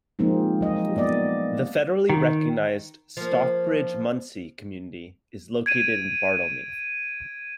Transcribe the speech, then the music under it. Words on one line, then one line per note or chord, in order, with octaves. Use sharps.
The federally recognized Stockbridge-Munsee Community is located in Bartelme.
F3 G#3 A#3 C4 D#4
F#3 D#5
A#3 B3 D5 D#5
D#3
F3 A#3
G#6 D7 D#7